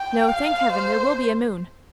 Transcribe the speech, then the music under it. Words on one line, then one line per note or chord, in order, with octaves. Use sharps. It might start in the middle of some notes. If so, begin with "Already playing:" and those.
No, thank heaven, there will be a moon.
Already playing: G5
F5
C5